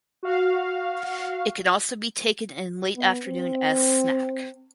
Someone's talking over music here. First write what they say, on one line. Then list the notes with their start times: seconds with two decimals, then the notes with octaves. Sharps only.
It can also be taken in late afternoon as snack.
0.23 F#4 F5
2.96 B3
3.26 C4